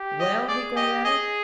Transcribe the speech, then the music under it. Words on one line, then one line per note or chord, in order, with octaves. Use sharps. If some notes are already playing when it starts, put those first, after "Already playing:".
"Well?" he glared at her.
Already playing: G4
D#5
G#4 D5
G4 D#5
G#4 D#5